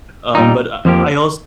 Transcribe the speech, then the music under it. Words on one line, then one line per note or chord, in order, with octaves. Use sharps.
um, but, uh, I als
A#2 G3 D#4
F2 F3 A#3 G4